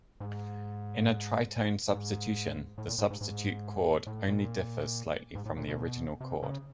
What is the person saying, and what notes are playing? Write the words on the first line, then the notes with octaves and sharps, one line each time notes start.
In a "tritone substitution", the substitute chord only differs slightly from the original chord.
G#2
G#2
A2
A#2
A2
G#2
G#2
A2
A#2
G#2
A2
A#2
B2
C3
C#3